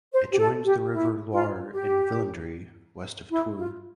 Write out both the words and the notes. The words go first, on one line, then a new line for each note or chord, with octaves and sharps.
It joins the river Loire in Villandry, west of Tours.
C5
G4
A4
G4
E4
F4
G4
E4
F4